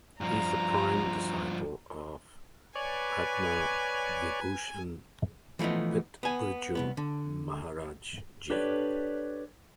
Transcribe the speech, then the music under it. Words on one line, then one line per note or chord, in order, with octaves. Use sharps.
He is the prime disciple of Padma Vibhushan Pt Birju Maharaj Ji.
G2 F3 A#5
B4 C#5 D5 G#5
E3 F3 A3 B3 D#4
B3 G#5
C2 F2 B3
D3
D4 G4 A4 B4 C#5 D5